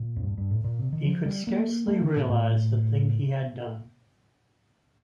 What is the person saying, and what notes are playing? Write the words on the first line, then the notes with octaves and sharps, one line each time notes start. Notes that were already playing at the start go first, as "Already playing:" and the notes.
He could scarcely realise the thing he had done.
Already playing: A#2
F2
G2
G2
A2
A#2
C3
D#3
F3
G3
A#3
A3
D3
A#2
A2